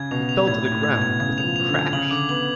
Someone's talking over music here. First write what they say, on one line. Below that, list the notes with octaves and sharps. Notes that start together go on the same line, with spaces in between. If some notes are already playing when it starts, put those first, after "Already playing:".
It fell to the ground with a crash.
Already playing: C#3 G#6
B2 F7
F7
A2 G#6
G#6
A2
G#6
B2
G#6
C#3 G#6
F7
F3
F3 F7
D3
G#6
C#3 F#7
D3 D6
B3 F#7